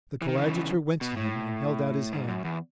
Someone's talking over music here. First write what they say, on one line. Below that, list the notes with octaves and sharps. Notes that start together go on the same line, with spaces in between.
The coadjutor went to him and held out his hand.
E3
D#3
C#3 E3
B2
A2
G#2
F#2
E2